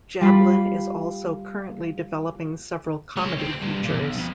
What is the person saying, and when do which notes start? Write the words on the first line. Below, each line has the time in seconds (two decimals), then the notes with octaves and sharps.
Jablin is also currently developing several comedy features.
0.21 G3 F4 B5
3.16 G#3 C#5
3.36 D2 C4
3.61 G2 C3
3.83 E2 A#2
3.98 B1
4.18 F2